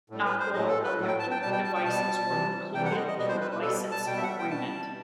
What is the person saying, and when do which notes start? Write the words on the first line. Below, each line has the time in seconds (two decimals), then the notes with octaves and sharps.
Not all electric devices were included in the licence agreement.
0.10 A2 G3
0.25 B4
0.40 C5
0.54 A2 F#3 D#5
0.68 A4
0.84 B4
0.98 A2 F#3
1.08 G5
1.19 A5
1.31 G5
1.42 G3 A5
1.46 B2
1.52 G5
1.64 A5
1.75 G5
1.85 B2 G3 A5
2.30 C3 E3 G3
2.73 C3 E3 G3 G5
2.85 F#5
2.91 C5
2.96 D#5
3.08 D#5
3.18 B2 G3 D#5
3.29 C5
3.41 B4
3.51 B4
3.61 B2 G3 A4
3.91 A5
4.06 B2 G3 G5
4.17 E5
4.23 F#5
4.28 E5
4.39 G5
4.50 B2 G3 A5